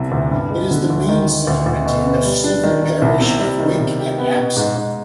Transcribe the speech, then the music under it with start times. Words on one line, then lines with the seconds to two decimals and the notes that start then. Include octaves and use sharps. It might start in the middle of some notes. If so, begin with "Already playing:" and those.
It is the main settlement in the civil parish of Wick and Abson.
Already playing: C2 C3
0.12 D2
0.31 G2
0.50 G#3
0.71 D3
0.90 D2
1.09 D#3
1.28 D#3
1.47 D2
1.66 D2
1.86 B2
2.05 B3
2.25 G3
2.44 D4
2.64 D#3
2.83 D#3
3.02 C2
3.21 C3
3.40 G3
3.60 D#3
3.79 C3
3.99 G4
4.18 B3
4.37 B2
4.57 G#2
4.75 G#2